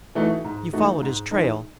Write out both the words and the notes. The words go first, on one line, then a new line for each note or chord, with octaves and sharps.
"You followed his trail?"
E3 A3 D#4 F#4
G#2
E3 A3 D#4 F#4
G#2
E3 G#3 D#4